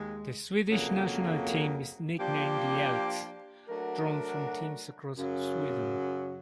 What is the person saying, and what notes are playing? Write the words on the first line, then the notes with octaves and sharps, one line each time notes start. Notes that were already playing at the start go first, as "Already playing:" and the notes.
The Swedish National team is nicknamed the Elks, drawn from teams across Sweden.
Already playing: D#2 D#3 G#3
F2 C#3 F#3 A#3
F3 A#3 D4 G4
F#3 A3 D4 F#4 A#4
F#2 C#3 F#3